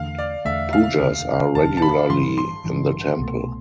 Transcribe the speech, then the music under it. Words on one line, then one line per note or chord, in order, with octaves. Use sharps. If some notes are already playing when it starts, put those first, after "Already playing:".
Pujas are regularly in the temple.
Already playing: E2 D3 A3 F5
D5
E2 D3 A3 E5
F5
E1 D2 D3
E1 D2 D3 A5
A5
B5
A1 G2 E3 C6
C6
A1 G2 E3
C2 B2 A3